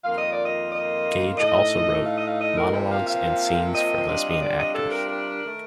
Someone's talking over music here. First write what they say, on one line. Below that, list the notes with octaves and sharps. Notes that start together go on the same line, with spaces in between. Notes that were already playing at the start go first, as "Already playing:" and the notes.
Gage also wrote "Monologues and Scenes for Lesbian Actors".
F2 D#3 A#3 F4 F5
D#5
D5
D#5
D#5
A2 A3 D#4 D#5
F5
D#5
F5
D#5
A#4
C3 F3 A#3
F5
F5
D#5
C3 G3 D4 F4
D#5
D5
D#5
A4
A#4
A#4
D#3 A3